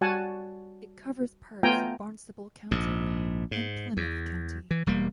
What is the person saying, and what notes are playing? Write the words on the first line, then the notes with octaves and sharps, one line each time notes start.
It covers parts of Barnstable County and Plymouth County.
G3 F#4 F#5 G#5 A5
A3 B3 F4 G5 G#5 A#5
A#1 G#2
G#2
E2
E3
E1 G3 A#3